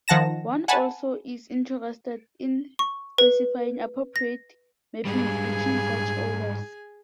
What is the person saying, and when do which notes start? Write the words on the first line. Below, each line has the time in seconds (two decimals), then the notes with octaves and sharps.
One also is interested in specifying appropriate mappings between such orders.
0.08 D#3 F3 F#5 A5 A#6 E7
0.68 F#5 G#5 A5 B5
2.79 C#6
3.18 B4
4.16 A#6
5.05 G#2 G3 G#4 G#5